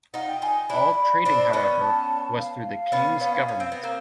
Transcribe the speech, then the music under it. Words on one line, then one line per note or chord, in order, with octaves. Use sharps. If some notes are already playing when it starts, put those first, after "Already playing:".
All trading however, was through the King's government.
D#4 F4 F#5
G5
D#4 F4 G#5
D4 E4 B5
C4 D4
B3 C#4
A5
F5
B3 C#4
B3 C#4
C#4
C4
B3
A#3 C4